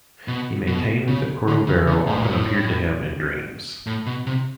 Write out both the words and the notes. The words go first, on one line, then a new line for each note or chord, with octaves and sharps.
He maintained that Cordovero often appeared to him in dreams.
B2
B2
C#3
D3
C#3
C#3
A2
A#2
A2
A2
B2
C3